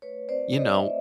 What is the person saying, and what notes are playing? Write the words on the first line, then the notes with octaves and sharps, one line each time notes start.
you know,
A3 B4 C#5
C4 C5 D5
F4 C#5 D#5
D5 E5
A3